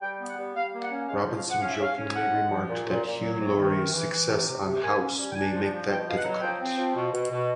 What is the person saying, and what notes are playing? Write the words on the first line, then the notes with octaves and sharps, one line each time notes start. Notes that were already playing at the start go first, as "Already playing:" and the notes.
Robinson jokingly remarked that Hugh Laurie's success on "House" may make that difficult.
G3 G5
B3
F#5
G3
G3 F5
A#3
F#5
C#4
G#3 F5
F#5
F3
F5
F3
F#5
C#4 F5
E5
C#4 F5
C#4
A2 F#5
G#3
F3
A#2
A#2
A#2
F#3
C3
D#3
E3
E3
E3
C3
C3
C3
A#3 G#5
C#4
G3
G5
D4 G#5
F3
F3
B2 G5
B2 F5
F#5
F#3
F3 G5
C4
F3
B2
B2
B2